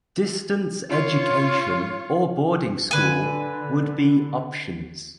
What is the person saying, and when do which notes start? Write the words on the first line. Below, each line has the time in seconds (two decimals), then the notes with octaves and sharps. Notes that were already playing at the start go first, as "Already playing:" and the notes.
Distance education or boarding school would be options.
0.89 F4 C#5
2.91 D3 B4 G#5